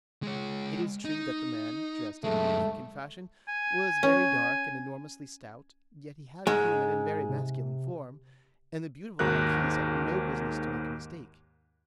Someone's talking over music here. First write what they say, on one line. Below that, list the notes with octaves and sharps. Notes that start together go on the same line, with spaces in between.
It is true that the man, dressed in the African fashion, was very dark and enormously stout, yet he had a human and very masculine form, and the beautiful marquise had no business to make a mistake.
G#3 C#5
D#4
F#2 G#3 A3
G#5
C#4
G#2 G#3
C3
D#2 G#2 F#4 A#4 F#6